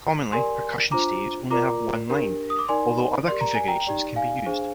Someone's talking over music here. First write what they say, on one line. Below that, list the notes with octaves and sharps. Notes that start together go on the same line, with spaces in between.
Commonly, percussion staves only have one line, although other configurations can be used.
G4 A#4 D5 G#5 C6
D4 F4 C5 A#5 D6
F4 A#4 D5 A#5 D6
D4 G4 A#4
D#6
D6
D#4 A#4 D5 G#5 C6
G4 A#4 D5 C6
A#5
G#5
G5 A#5
D#4 G4 D5
F5 G#5
D4 G#4 C5